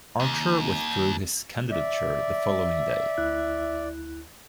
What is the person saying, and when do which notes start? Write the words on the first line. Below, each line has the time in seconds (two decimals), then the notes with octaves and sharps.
Archer withdrew his candidature the following day.
0.20 D#2
1.71 D5 E5
3.18 D2 E4 F#6